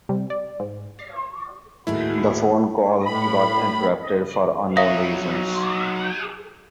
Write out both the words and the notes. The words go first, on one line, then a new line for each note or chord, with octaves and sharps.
The phone call got interrupted for unknown reasons.
C3 G3
D5
G#2
D#2 A2 E4 F#4 G#4
A2 B5
F#3 D#4 E5 F5 D#6